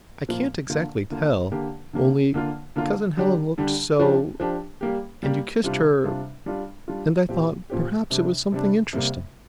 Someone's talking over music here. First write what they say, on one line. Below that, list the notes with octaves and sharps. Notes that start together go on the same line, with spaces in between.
"I can't exactly tell--only Cousin Helen looked so;--and you kissed her;--and I thought perhaps it was something interesting."
A#2 F3 A#3 F4
D3 A#3 F4
D3 A#3 F4
D3 A#3 G4
D3 A#3 G4
D3 A#3 F4
D3 A#3 F4
D3 G3 D4 G4
D3 G3 D4 G4
F3 D4 G4
F3 D4 G4
G3 A#3 G4
G3 A#3 G4
C3 G3 D4 F4
C3 G3 D4 F4
G3 D4 F4
G3 D4 F4
A#2 F3 C4 G4
A#2 F3 C4 G4
C3 G3 D4
C3 G3 D4
C3 G3 A#3